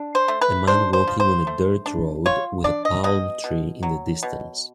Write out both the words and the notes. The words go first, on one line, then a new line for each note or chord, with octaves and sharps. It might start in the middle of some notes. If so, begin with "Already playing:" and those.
A man walking on a dirt road with a palm tree in the distance.
Already playing: D4
C5
A3
B4
D4 C5
C5
F3
C5
A3
D4
F4 C#5
D4 D5
D#5
B2 D#5
B2
F#3
B2